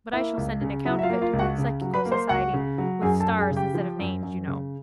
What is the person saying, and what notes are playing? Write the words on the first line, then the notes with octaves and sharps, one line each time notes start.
But I shall send an account of it to the Psychical Society, with stars instead of names, you know.'
A#3 E4 E5
C#2
C#3
F#3 E4 E5
E5
F4 F5
A#3
F4 F5
C#2
F#4 F#5
C#3
F#3
B4 B5
A#3
C5 C6
C#2 F#4 F#5
C#3
F#3
F#2 G#4 G#5
A4 A5
F#2
G#4 G#5
C#3
G4 G5
F3
F#2
F#2
C#3